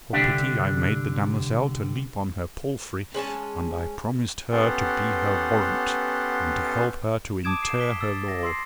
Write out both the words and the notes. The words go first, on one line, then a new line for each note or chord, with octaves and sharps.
Then for pity I made the damosel to leap on her palfrey, and I promised her to be her warrant, and to help her to inter her lord.
C2 D3 D4 G4 E5
G#3 C#4 G#5 A5
B3 C#4 G4 A4 F#5 C6
A5 D6 D#6 G#6 D7 E7
C7 E7
B6 G7
E6 A6
A#6
C6 E6 C7